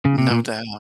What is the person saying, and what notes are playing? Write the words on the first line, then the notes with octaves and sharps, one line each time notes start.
No doubt.
C#3
C3
A#2